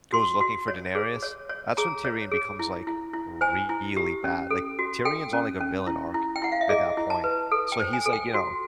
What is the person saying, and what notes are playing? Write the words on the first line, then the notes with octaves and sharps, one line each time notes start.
goes looking for Daenerys, that's when Tyrion becomes, like, really bad. Like, Tyrion's on, like, a villain arc at that point, so he's, like, you know
F#4 C6
F#4
C#5
G#4
C#5
C#5
G#4 A#5
C#5
G#4
E4
E4
E4
C5 G#5
E4
G4
C#4
A4
F#4
A4 G5
C#4
C#4
E4
E4
G5
E4 F#5
F5
E5
G#4 D#5
E4
A5
B4
A4
G5
C5
G#5
A4
G5
F#4